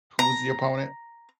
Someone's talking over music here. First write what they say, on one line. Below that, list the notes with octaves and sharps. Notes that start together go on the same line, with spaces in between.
who was the opponent?
A#5